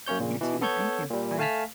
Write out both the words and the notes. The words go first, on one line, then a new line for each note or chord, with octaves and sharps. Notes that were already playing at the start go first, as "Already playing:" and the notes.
You too, thank you. Bye.
F#2 A#3 C#4 C#5 G6
A#1 A#2 C#3
B2 E3
B3 A4 C#5 G6 G#6
A#2 G3
A3 F5 G#5 A5 F6 B6